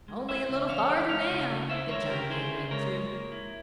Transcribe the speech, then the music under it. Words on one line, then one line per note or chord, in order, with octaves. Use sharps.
"Only a little farther now," the junk man answered.
G#3
E4 C5 E5
C#3
E3 C#5 F5
E3
G#3 C#5 F5
C#3
C#3
E4 C5 E5
G#3 A#4 C#5
C#3 G4 A#4
E4 G#4 C5
C#3
G#3 A#4 C#5
G#3
A#3
E4